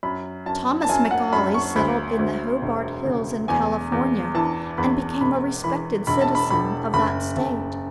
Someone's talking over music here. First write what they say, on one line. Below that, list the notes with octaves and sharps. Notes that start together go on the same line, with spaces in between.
Thomas McAuley settled in the Hobart hills in California and became a respected citizen of that state.
F#2 B5
F#2 A5
A5
F#2 G#5
F#5
F#2 B5
C#6
D2 B5
D2
E1
C#3
E2 G#5
E2
E3 A5
E2 B5
E1 B5
E3 B5
E1 B5
A5
B5
E1 B5
F#1 B5
F#1 A5